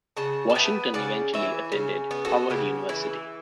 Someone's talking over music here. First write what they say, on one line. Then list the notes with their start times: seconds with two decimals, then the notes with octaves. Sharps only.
Washington eventually attended Howard University.
0.17 C#3 F#5 A5
0.50 A5
0.55 B3 E5 G5
0.94 C#3 D5 F#5
1.34 E3 C#5 E5
1.72 C#3
2.11 B3
2.25 F#4 A4
2.50 C#3 E4 G4
2.89 E3 E4